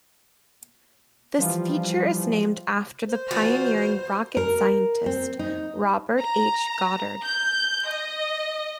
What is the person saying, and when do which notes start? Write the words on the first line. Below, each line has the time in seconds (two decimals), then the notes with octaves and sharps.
This feature is named after the pioneering rocket scientist Robert H. Goddard.
1.38 E3 F3 G3 F4
3.07 C5
3.31 E2 F4 F#4
4.37 A#4
5.06 C4
5.39 D#4
6.19 A#5
7.25 G6
7.89 D#5